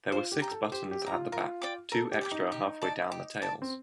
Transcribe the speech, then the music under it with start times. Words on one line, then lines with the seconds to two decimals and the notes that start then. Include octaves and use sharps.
There were six buttons at the back, two extra halfway down the tails.
0.12 F4 C5
0.32 G4
0.42 G5 A#5
0.51 A4
0.72 G4 C5
0.91 G4
1.02 G5
1.05 G4 A#5
1.12 F4
1.32 F4 A#4
1.62 D5 G5 D6
1.92 A4 A#4
2.11 G4
2.21 D5 G5 D6
2.32 D#4
2.52 G4
2.82 D5 A5
3.12 G4
3.42 D5 A5
3.62 C4